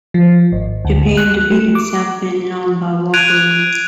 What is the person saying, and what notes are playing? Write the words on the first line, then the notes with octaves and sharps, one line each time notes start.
Japan defeated South Vietnam by walkover.
F3
G#1
D2
F#6
A3
D6
F#6 G#6 D7 D#7 F7